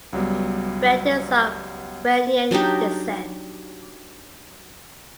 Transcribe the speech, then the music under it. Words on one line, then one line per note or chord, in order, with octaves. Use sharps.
Rad is of Iranian descent.
C#2 F#3 G3 B3
F#3 D4 D#4 G4